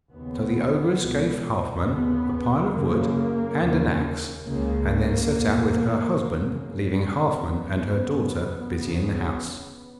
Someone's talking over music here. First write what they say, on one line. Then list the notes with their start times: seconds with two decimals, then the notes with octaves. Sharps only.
So the ogress gave Halfman a pile of wood and an axe, and then set out with her husband, leaving Halfman and her daughter busy in the house.
0.12 D#2 C#3 B3
0.99 C#2 B2
1.85 D#2 C#3 B3
2.72 F#2 C#3 A#3
3.59 D#2 C#3
4.45 C#2 C#3 A#3
5.33 E2 B2
6.19 F#2 C#3
7.06 E2 C#3 B3
7.93 F#2 C#3
8.79 E2 C#3